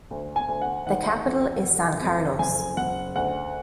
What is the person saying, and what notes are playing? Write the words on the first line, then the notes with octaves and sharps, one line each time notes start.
The capital is San Carlos.
D2
G#5
D2
F#5
D#3 F#5
F2
F1
F2
F#1 G#5
F#1 F#5
D2 F#5